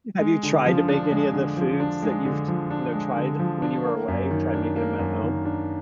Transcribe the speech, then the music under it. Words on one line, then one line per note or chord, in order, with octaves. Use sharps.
Have you tried to make any of the foods that you've t you know, tried when you were away, tried making 'em at home?
G#3
D3
F3
D4
G#3
D3
F3
D4
G#3
D3
F3
D4
G#3
D3
F3
D4
A#3
F#2
D#3
D4
A#3
F#2
D#3
D4